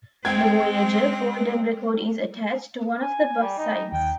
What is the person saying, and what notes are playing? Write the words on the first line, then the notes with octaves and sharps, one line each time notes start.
The Voyager Golden Record is attached to one of the bus sides.
G#3 C4 G5 G#6
G#5
G3
D#4
D#2 G5